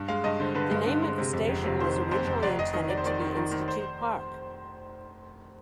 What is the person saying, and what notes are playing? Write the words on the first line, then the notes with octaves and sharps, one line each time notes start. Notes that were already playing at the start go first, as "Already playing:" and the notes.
The name of the station was originally intended to be Institute Park.
Already playing: G2
G#3 F5
G2 D#5
D3 C5
D3 B4
G2
D3
G#3
C3
F2
F1
C3
D#3 C5
F1
F2 C5
F2
F1 D5
F1 D#5
D#3 D#5
F1 D5
C5
D#3 D5
D#3
D#3
D#3
C5